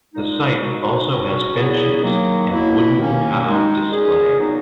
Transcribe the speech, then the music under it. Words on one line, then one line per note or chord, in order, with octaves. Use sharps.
The site also has benches and wooden cow display.
A#2 G#3 D#4
F#2 D#3 G#3 D#4 F#4
G#2 F#3 C#4 F#4
A#2 F#3 B3 E4 G#4
D#3 F#3 A#3
B2 F#3 A#3 E4
D#2 D#3 A#3 C#4
D#3 G#3 D#4
A#2 G#3 C#4 G#4
A#2 F#3 B3 D#4